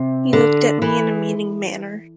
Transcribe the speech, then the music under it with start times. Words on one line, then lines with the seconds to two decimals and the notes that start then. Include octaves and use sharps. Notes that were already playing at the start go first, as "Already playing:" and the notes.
He looked at me in a meaning manner.
Already playing: C3
0.33 D3
0.82 E3